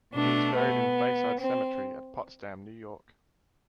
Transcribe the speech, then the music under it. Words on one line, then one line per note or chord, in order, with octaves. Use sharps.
She is buried in Bayside Cemetery at Potsdam, New York.
B2 A3 D4
B3
C4